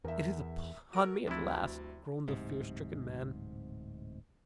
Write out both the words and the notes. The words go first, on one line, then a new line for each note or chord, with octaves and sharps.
"It is upon me at last!" groaned the fear-stricken man.
E2 A#4 E5
F#4 A4 A#4 D7
D2 G2 C3 F3 C4 E4 A6
D1 G#2 C3